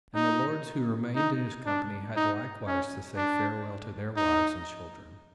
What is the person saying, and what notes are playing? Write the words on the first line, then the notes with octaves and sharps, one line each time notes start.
And the lords who remained in his company had likewise to say farewell to their wives and children.
D#4
D#4
D4
D#4
C#4
D4
D#4